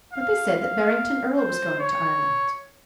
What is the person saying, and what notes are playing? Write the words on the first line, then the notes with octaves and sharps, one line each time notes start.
"But they said that Barrington Erle was going to Ireland."
F5
F5
C5
C#5